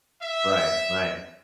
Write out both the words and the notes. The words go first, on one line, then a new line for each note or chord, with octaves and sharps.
Right, right.
E5